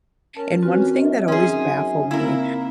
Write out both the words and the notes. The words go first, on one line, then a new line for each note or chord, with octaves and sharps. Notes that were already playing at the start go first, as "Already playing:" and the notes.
And one thing that always baffled me
C#4 A#4 A5
E3 C4 C#4 F4 F#4
F#2 D#5
C#4 D#4 G#4 C6
C#3 A#3 C4 D#4 E4 A#4